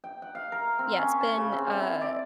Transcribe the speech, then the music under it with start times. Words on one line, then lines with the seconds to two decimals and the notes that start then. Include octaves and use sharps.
yeah, it's been, uh
0.04 G5
0.22 F#5
0.35 F5
0.52 A#4
0.79 C4
0.99 C#4
1.21 A5
1.37 C#3
1.52 C4
1.73 E4
2.01 D5